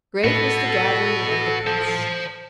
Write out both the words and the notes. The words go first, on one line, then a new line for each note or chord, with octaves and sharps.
Great was the gathering and the press.
A2 F#4 A4 B4
C5 A5